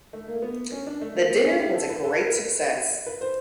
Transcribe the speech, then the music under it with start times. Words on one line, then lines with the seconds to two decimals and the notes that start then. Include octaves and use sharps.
The dinner was a great success.
0.13 A3
0.28 A#3
0.42 B3
0.72 C#4
0.87 D4
1.02 A3
1.15 A#3
1.30 B3
1.45 C#4
1.60 G4
1.74 A4
1.90 B4
2.04 A4
2.18 A#4
2.33 B4
3.06 B4
3.21 C5